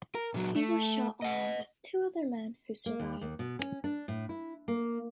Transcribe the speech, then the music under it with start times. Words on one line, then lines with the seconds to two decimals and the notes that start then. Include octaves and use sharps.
He was shot along with two other men, who survived.
0.15 A#4
0.34 A#2 F#3
0.56 A3
1.22 D#5 F#5
2.86 A#3
3.00 D#2
3.21 D#2
3.39 B2
3.59 C#4
3.84 D4
4.08 A2
4.29 E4
4.68 A#3